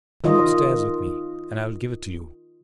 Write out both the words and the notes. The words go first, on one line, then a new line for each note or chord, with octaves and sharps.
"Come up-stairs with me, and I will give it to you."
D#3 F4 D#5